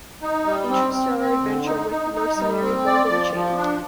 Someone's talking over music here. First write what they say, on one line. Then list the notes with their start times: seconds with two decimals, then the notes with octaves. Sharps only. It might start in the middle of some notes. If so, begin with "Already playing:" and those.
Interstellar adventure with mercenary Morgan Chane.
0.22 D#4
0.46 G3
0.70 C4
0.94 C4
1.18 C4
1.42 D3
1.65 D#4
1.90 D#4
2.14 D#4
2.37 G3
2.62 C4
2.86 D5
3.09 F3
3.34 F3
3.58 D4